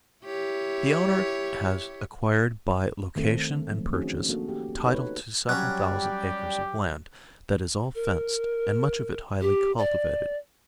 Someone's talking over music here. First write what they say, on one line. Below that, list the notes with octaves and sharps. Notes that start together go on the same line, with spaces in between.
The owner has acquired by location and purchase, title to several thousand acres of land, that is all fenced and much of it highly cultivated.
E4 G4 C#5
D#3 A3 C4 A4
F3 F#3 A3
C4 C#4 D#4 F#4 G#4
A#3 D4 F#4 A4
G4
D#4 F#4 A4 B4 C#5
F#3 G3 C#4 D5 F#6
G4
A#4
G4
D5